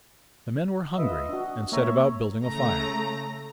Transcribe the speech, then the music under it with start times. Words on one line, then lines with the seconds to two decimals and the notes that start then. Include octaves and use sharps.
The men were hungry and set about building a fire.
0.98 F4 B4 D#5 E5
1.29 D4 F#4
1.72 A#3 C#5 E5 A#5
2.44 C#3 A3 A#5